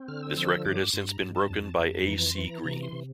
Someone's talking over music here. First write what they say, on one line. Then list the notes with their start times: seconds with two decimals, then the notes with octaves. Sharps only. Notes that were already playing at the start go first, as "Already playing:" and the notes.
This record has since been broken by A. C. Green.
Already playing: C4
0.08 D3 F6
0.22 E6
0.37 F3 E6
0.65 G2 D6
0.93 G2 C6
1.08 A#5
1.21 G2 A5
1.35 A5
1.50 F2
1.79 F2
2.06 E3 A#5
2.26 C6
2.35 E3
2.45 A#5
2.64 C3 A#5
2.83 C6
2.93 C3